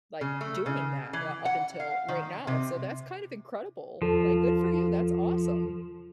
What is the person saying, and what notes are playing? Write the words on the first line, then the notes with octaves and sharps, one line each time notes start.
like, doing that, uh, up until right now, so, that's kind of incredible, like, good for you, that's awesome.
C#3
A3
C#3
E3
F#5
F5
D#3
C3
E2 F3 A4